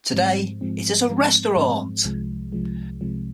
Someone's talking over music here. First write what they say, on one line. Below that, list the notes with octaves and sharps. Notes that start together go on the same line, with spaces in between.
Today it is a restaurant.
G#2 F3 G#3 C4
G#2 F3 G#3 C4
G#2 F3 G#3 C4
G#2 F3 G#3 C4
C2 C3 F3 G#3
C2 C3 F3 G#3
C2 C3 F3 G#3